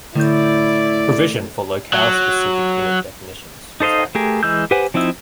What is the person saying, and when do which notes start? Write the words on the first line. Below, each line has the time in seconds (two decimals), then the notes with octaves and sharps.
Provision for locale-specific unit definitions was added.
0.16 A2 D3 E4 D5 G6
1.93 F#3
3.80 D#4 A4 C5 D#5 F5
4.15 A3 G4 G#4 A#4
4.43 E3 G#3 E6 G6
4.71 G4 B4 C5 F#5 G#5
4.94 F3 C4 D#4 E4 E5